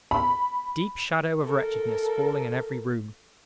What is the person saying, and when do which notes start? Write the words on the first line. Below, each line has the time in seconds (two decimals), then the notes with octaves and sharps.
Deep shadow of wretchedness falling in every room.
0.11 B5
1.43 A4 A#4